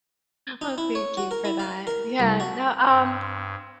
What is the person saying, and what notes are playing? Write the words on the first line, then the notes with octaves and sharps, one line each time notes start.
Well, thank you for that. Yeah, no, um
D#4
E4
C#5
F#4
A#4
E4
F5
A#4
C2
F#4
G2